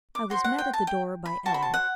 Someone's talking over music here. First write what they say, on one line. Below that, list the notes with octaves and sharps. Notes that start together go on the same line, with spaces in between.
I was met at the door by Ellen.
D6
F#4 C5 C6
F#5
G5
A5
G5
B5
F#4 C5 A5
B5
A5
F#5